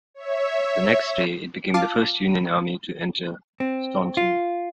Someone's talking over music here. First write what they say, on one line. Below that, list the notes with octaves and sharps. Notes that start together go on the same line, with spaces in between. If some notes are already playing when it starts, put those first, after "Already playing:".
The next day, it became the first Union army to enter Staunton.
C#5 E5
F4 F5 A5 D6
C4
F4